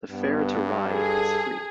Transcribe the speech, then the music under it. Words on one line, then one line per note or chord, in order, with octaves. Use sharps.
The fare to ride is free.
G2 B3
G#4 A4